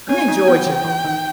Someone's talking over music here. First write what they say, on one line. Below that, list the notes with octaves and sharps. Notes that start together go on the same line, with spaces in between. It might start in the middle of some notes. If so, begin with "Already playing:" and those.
I'm in Georgia.
C#4 G#5
D#4
B3 G5
E3
E3
D#3